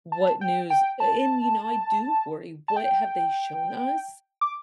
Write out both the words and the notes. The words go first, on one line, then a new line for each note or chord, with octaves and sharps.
what news a and, you know, I do worry, what have they shown us
A5
G5
G5
A5
A5
G5
D6